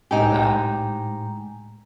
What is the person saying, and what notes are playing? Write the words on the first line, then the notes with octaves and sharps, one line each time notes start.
for that?
A2 G#3 C4 D#4 G4 G#5